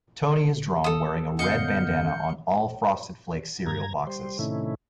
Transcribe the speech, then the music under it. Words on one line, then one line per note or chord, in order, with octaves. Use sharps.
Tony is drawn wearing a red bandana on all Frosted Flakes cereal boxes.
A4 D#6
F#2 D3 B3 D#5 F5 G6 C#7
G2 A#5 G#6
G3 C5
A2 C3 D#3 A3 C#4 E4